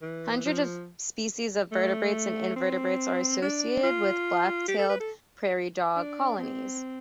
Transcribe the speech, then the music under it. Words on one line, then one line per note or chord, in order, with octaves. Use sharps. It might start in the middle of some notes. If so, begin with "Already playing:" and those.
Hundreds of species of vertebrates and invertebrates are associated with black-tailed prairie dog colonies.
E3
F3
A3
C4
D4
F4
G4
A4
B4
A4
D4
C4